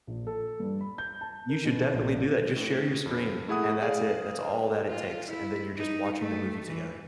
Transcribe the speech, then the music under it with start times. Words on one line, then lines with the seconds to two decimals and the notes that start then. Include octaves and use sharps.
you should definitely do that. Just share your screen, and that's it, that's all that it takes, and then you're just watching the movie together.
0.07 A#1
0.27 A4
0.60 G2
0.81 B5
0.98 G6
1.21 A5
1.50 A#4
1.65 B2
1.94 A#1
2.56 A2
3.06 F2
3.48 A3 E4 G#4 F#5 D#6
3.81 G#4 D5 F5
4.88 F4
5.29 E4
5.77 D#4
6.20 A3
6.65 E3